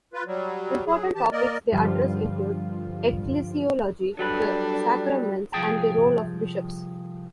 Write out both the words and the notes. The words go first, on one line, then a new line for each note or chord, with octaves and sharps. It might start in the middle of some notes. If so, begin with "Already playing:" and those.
Important topics they address include ecclesiology, the sacraments, and the role of bishops.
F4 B4
F#3 G3
F#3 G#4
E3 G4 A5
A#3 A#4 D5 D#5
G2 D3 F3 G3 F4
F#3 G3 D4 A4 B4
C2 F3 B3 G#4 G5 A5